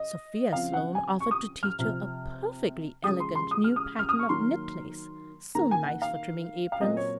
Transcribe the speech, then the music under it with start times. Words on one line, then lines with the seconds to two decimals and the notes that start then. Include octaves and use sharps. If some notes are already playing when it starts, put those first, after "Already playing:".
Sophia Sloane offered to teach her a perfectly elegant new pattern of knit lace, so nice for trimming aprons.
Already playing: D#5
0.53 C#3 F3 C4 F5
0.73 F#5
0.95 G#5
1.20 C#6
1.31 D#6
1.63 F6
1.79 C3 F3 C4
3.04 C#3 F3 G#3 D#6
3.20 C6
3.35 C6
3.51 D#6
3.64 F6
3.76 D#6
3.99 F6
4.09 D#6
4.19 C#6
4.29 D#3 F#3 A#3 C6
5.55 D#3 A#3 A#5
5.71 G#5
5.86 F#5
6.02 F5
6.72 F5
6.81 A#2 F#3 C4 D#5
6.97 C#5